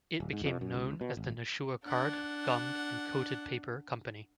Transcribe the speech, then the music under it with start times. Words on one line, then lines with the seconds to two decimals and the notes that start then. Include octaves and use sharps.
It became known as the Nashua Card, Gummed and Coated Paper Company.
0.20 D1
0.33 G#2
0.45 F2
0.61 F#2
0.74 C#2
1.01 B2
1.17 G#1
1.85 D4 F#5